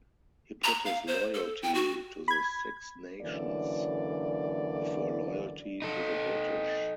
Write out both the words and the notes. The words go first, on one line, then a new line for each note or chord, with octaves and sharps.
He put his loyalty to the Six Nations before loyalty to the British.
A#5
F5
C5
A4
G5
F#4
B5 G#6
F#2 D3 E3 A#3 D5
D#4 A4